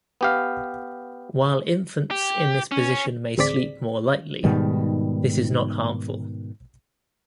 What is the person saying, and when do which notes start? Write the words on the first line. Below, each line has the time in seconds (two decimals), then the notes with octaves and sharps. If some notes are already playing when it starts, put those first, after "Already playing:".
While infants in this position may sleep more lightly this is not harmful.
0.21 B3 G4 F5
2.11 G4
2.72 C#4
3.37 A1 D2 C4 G#4 D5 B6
4.44 G#2 B2 D#3 G3